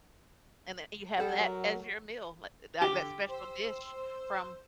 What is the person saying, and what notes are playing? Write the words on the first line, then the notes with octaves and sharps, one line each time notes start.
and then you have that as your meal li eh, that that special dish from
G3 A4 F#5
F#3 A#4
D3 G4 D7
C5 E6